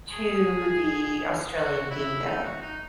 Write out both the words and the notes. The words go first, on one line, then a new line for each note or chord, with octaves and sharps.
to the Australian Dingo.
G#4
F#4
E4
D#4
F#4
D#4